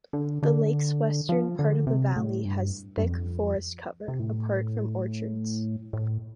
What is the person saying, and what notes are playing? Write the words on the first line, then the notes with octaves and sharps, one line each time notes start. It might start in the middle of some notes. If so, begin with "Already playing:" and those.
The lake's western part of the valley has thick forest cover, apart from orchards.
D3
D3
F3
D3
C3
A2
G2
G2
F2
C3
A2
A2